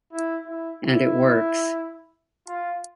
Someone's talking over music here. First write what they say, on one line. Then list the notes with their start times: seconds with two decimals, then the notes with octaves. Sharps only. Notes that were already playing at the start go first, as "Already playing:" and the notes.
And it works.
0.12 E4
0.46 E4
0.79 E4
2.47 F4